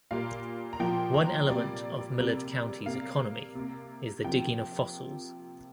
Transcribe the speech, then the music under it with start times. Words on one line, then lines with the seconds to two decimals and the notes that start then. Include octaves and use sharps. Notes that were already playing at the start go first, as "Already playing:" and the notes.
One element of Millard County's economy is the digging of fossils.
0.11 A#2 G3 A#3 F5
0.73 A#5
0.80 A#2 F3 A#3 G5
1.14 A#5
1.48 C3 G3 A#3 D5
2.18 C3 G3 A#3
2.86 C3 A#3 F5
3.55 C3 A#3
4.24 C3 F3 A#3 G5